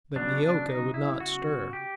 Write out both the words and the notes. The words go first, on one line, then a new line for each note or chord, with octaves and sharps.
But Neeoka would not stir.
C#3 F#3 B3 D4
D4
D#4
E4
F#4
G4